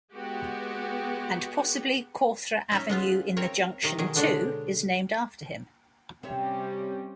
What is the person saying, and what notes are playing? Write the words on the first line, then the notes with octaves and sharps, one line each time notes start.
And possibly Cawthra Avenue in the Junction too, is named after him.
G#3 B3 F#4 G4
C#4 D#4 E5
G#3 B3 F4
C4 A#4 C#5
C3 D#3 D#5
B2 D#3 G#4
B2 D3 G#3 D4 C#5
C3 G3 C4 C#4 C#5 E5